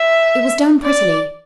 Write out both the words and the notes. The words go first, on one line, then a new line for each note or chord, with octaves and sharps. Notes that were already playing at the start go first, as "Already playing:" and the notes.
It was done prettily.
Already playing: E5
D5